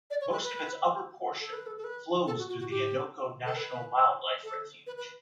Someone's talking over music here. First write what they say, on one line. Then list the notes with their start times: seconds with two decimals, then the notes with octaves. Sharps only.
Most of its upper portion flows through the Innoko National Wildlife Refuge.
0.10 D5
0.21 C#5
0.32 B4
0.43 B4
1.40 A4
1.53 B4
1.66 A4
1.78 A4
1.84 B4
2.27 A4
2.38 F#4
2.49 F#4
2.60 F#4
2.70 G4
3.46 A4
3.57 B4
4.44 A4
4.87 B4
4.97 B4